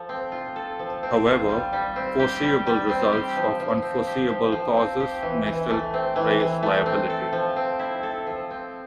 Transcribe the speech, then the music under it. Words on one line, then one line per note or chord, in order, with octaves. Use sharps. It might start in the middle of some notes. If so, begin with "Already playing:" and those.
However, foreseeable results of unforeseeable causes may still raise liability.
Already playing: F3 A4
C4
F4
A4
F3
C4
F4
G3
G3
C4
G4
G3
G3
C4
G4
F3
F3
C4
G4
F3
F3
C4
G4
E3
E3
A3
C4
E3
E3
A3
C4
A4
F3
C4
E4
A4
F3
C4